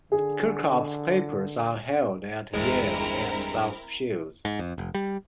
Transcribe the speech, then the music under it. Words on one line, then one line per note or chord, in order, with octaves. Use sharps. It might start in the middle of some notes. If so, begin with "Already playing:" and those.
Kirkup's papers are held at Yale and South Shields.
D3 G#4
G1 E2 G2 G#3 C4 E4 A#4
G#2
F2
F1
G3